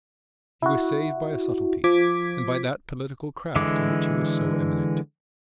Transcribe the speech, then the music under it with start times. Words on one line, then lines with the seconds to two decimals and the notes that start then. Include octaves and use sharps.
He was saved by a subtlety, and by that political craft in which he was so eminent.
0.62 E4 F#4
1.84 F3 D6 G#6 B6
3.56 D3 E3 G#3 D6